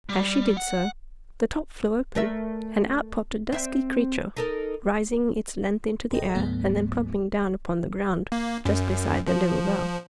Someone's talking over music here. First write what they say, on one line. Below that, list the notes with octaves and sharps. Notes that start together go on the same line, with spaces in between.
As she did so the top flew open and out popped a dusky creature, rising its length into the air and then plumping down upon the ground just beside the little girl.
G3
F#5
A3 A#4 E5
C4 E5
D#4 A4 A#4
A1 G#4 A4 D#5 G5 A#6
D2 G#2 F#3 A3 B3
A#3
F#2
F3